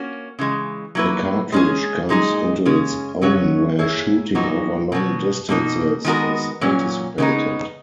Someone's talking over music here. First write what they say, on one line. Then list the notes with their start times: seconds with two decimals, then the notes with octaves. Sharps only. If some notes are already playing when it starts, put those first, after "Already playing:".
The cartridge comes into its own where shooting over long distances is anticipated.
Already playing: A#3 C#4 F#4
0.39 C#3 E3 G#3
0.95 F#3 A#3 E4 B4
1.52 G#3 C#4 G#4
2.09 A#2 G#3 D#4 G#4
2.65 C#3 G#3 C#4 G#4
3.21 C#3 F#3 C#4 F#4 C#5
3.79 A#3 E4 G#4 C#5
4.35 A#2 F#3 B3 D#4 F#4
4.92 B2 F#3 B3 F#4
5.49 B2 A#3 D#4
6.05 D#3 G#3 B3 F#4 A#4
6.61 A#2 F#3 C#4
7.18 C#3 G#3 B3 D#4